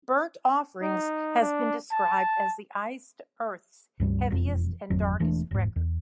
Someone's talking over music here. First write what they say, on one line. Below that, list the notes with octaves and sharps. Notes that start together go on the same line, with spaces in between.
"Burnt Offerings" has been described as the Iced Earth's heaviest and darkest record.
D#4
D4
A5
C#2 G2 G3
E1 F2
G#1 F2 F#3
E1 E3 A3 D4
E1 G#2
E2